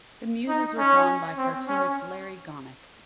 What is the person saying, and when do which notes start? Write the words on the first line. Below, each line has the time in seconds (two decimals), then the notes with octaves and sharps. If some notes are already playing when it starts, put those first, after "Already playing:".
The Muses were drawn by cartoonist Larry Gonick.
0.49 D#4
0.79 C#4
1.38 C4
1.68 C#4